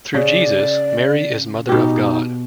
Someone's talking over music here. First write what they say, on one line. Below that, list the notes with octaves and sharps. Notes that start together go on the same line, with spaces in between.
Through Jesus, Mary is Mother of God.
C#3 D5
B2 D#4 G4